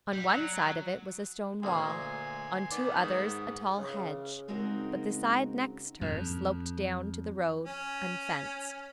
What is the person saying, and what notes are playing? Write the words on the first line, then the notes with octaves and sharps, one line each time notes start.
On one side of it was a stone wall, on two others a tall hedge, but the side next her sloped down to the road, unfenced.
G3
F#3
D2 A#2 G#5 C6
D#3 B3 D5
G#2
C#3
C#3 G#3 C4 D#4 F#4 A#4
F2
C#4